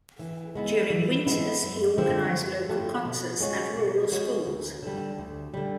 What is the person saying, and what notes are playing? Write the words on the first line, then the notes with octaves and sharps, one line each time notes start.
During winters, he organized local concerts at rural schools.
E3
G#3 B3 E4
E3
G#3 B3 E4
F#2
D3 F3 A3 C4
F#2
D3 F3 A3 C4
B2
G#3 C#4 F#4
B2
G#3 C#4 F#4
D2
D3 G3
D2
D3 G3